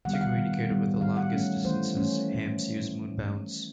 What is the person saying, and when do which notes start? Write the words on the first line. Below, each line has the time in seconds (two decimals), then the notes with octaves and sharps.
To communicate over the longest distances, hams use moon bounce.
0.05 D#3 G3 B3 F#5
0.14 F5
0.21 F#5
0.37 D#3 G3 B3
0.69 D#3 G3 B3
1.01 D#3 G3 B3 F5
1.17 F#5
1.33 E3 A3 C#4
1.65 E3 A3 C#4 C5
1.97 E3 A3 C#4